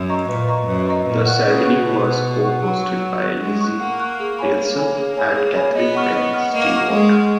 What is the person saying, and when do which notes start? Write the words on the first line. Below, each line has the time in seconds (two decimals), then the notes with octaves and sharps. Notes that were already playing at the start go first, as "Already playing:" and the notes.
The ceremony was co-hosted by Leslie Nielsen and Catherine Mary Stewart.
Already playing: F#2
0.09 D#5 A#5 C#6
0.29 A#2 B4
0.48 D#5 A#5 C#6
0.67 F#2 B4
0.87 D#5 A#5 C#6
1.06 A#2 B4
1.26 F#5 C#6 F#6
1.45 C#3 B4
1.65 F#5 C#6 F#6
1.85 B2 B4
2.05 F#5 C#6 F#6
2.23 B4
2.43 F#5 C#6 F#6
2.63 F#3 F#5
2.83 C#6 F#6
3.02 F#5
3.22 C#6 F#6
3.40 G#3 F#5
3.61 C#6 F#6
3.79 A#3 F#5
4.00 C#6 F#6
4.20 G#4
4.39 C#5 G#5 B5
4.58 A#3 G#4
4.78 C#5 G#5 B5
4.98 G#4
5.17 C#5 G#5 B5
5.36 G#4
5.56 C#5 G#5 B5
5.75 B3 D#5
5.95 F#5 C#6 F6
6.15 D#5
6.33 F#5 C#6 F6
6.53 A#3 D#5
6.73 F#5 C#6 F6
6.92 G#3 D#5
7.12 F#5 C#6 F6